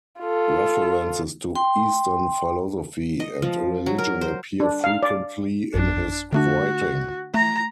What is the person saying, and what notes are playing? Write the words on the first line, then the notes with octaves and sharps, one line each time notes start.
References to Eastern philosophy and religion appear frequently in his writing.
F4 A4
G5 C6
D#5
F3
F#3
A#4
C5
D4
F5
D5
A1 F#2 D4
D3 A3 D4 F#4
A3 A#5